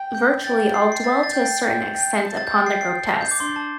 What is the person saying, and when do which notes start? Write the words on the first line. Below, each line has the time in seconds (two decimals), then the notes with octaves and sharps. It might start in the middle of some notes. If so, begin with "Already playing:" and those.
Virtually all dwell to a certain extent upon the grotesque.
Already playing: G5
0.15 G6
0.44 G5 A6
0.74 C7
0.92 C7
1.04 E5 A6
1.23 A6
1.33 G5 G6
1.63 G5
1.93 G5
2.22 A5
2.37 A6
2.47 G6
2.51 G5 A6
2.67 C7
2.81 C7
3.21 G6
3.31 D6
3.40 D4 C6
3.56 A5